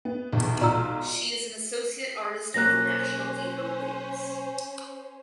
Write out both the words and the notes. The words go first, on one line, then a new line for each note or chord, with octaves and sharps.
She is an associate artist of the National Theatre Wales.
B3
B1 E2
B1 F4 D5 A#5 E6
B1 A#3 C#4 C5 F#6 A#6